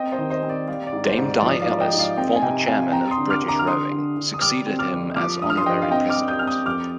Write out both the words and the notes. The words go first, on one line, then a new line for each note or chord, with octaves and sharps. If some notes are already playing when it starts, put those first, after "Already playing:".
Dame Di Ellis, former chairman of British Rowing, succeeded him as Honorary President.
Already playing: C4 D#5 G5
C5 D#5
D#3
C5 D#5
C4
D5
G3 D5 F5
D5
G#2
C5
G#2
D5
F3 D5
D5 F5
G#2
D#5 G5
G#2
D5 F5
C4 D#5 G5
G#5
C3 D#5 G5
C4 F5 G#5
C4 G5 A#5
C6 D#6
D3
D6 F6
D3
A#5 D6
F6
D3 C6 D#6
D3
D3
D#6
G3 D6 F6
C4
D6 F6
F2
F3 D6 F6
G2 D#6
F6
C6 D#6
G2 D#5 G5
F5
C4 D#5 G5
D6 F6
G3
D#6 G6
C4 F6
D#6 G6
F2 D6 F6